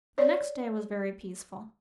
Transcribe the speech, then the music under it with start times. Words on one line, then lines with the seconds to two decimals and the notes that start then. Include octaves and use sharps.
The next day was very peaceful.
0.18 C#5 D5